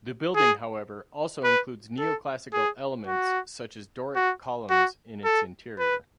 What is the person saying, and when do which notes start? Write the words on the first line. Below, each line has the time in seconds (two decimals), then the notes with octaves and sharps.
The building however also includes Neoclassical elements such as Doric columns in its interior.
0.35 G#4
1.44 B4
1.99 A4
2.53 G#4
3.07 F#4
4.16 F#4
4.70 F#4
5.25 A4
5.79 B4